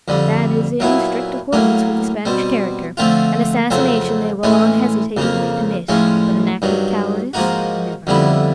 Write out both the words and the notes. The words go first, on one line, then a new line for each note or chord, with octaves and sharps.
"That is in strict accordance with the Spanish character; an assassination they will unhesitatingly commit, but an act of cowardice, never."
F2 D3 G3
A#2 F#3 B3 E4
A2 F#3 A#3 C#4
B2 G3 C4
D3 F3 A3 C4 F4
F2 C#3 F#3 A3 C4
A2 E3 G#3 C#4
F2 C#3 F3 A#3
A2 F3 G#3 C#4
G2 D#3 F#3
G#2 F3 A#3 D#4 F#4
F2 D3 G3 B3 E4